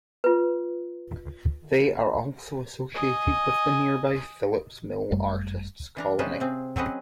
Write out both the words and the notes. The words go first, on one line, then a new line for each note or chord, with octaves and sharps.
They are also associated with the nearby Phillips Mill artists colony.
F4 B4
D#5 G#5
G1 F#2 G3 A3
E3 D4 A#4
C3 C#4 F4 G#4 B4 C5
C3 C4 G#4
F#3 C4 C#4 G#4 B4 D#5